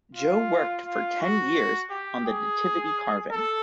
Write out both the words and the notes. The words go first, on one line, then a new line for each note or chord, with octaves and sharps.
Joe worked for ten years on the Nativity carving.
F4
F4
F#4
G4
G#4
A4